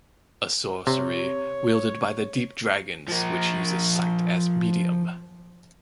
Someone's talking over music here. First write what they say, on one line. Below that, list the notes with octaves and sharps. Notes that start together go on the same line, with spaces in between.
A sorcery wielded by the Deep Dragons which uses sight as medium.
C3 C#5
F3 A#4